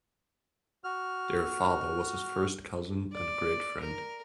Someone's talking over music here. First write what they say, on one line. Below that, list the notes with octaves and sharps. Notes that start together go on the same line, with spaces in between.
Their father was his first cousin and great friend.
F#4 F6
D5
A#4